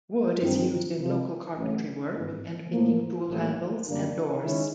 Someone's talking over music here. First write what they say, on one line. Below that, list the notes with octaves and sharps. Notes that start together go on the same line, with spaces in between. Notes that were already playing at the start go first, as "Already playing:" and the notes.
Wood is used in local carpentry work and making tool handles and doors.
G2 D#3 G#3 C4
C2 C3 F3
A1 A2 F#3 A3
G#1 G2 E3
A2 F3 A#3
A1 A2 F#3 A#3
F#2 D3 G3 A#3 D4
D#3 G#3 C#4 E4